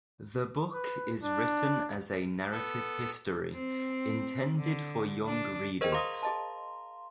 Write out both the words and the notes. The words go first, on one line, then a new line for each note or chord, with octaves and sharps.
The book is written as a narrative history intended for young readers.
B4
D4
B3 A4
C4
D3
D4
G#4 A#4 C5 D#5 G5
G#4 F5 A#5 C6 D#6
G#4 D#5 A5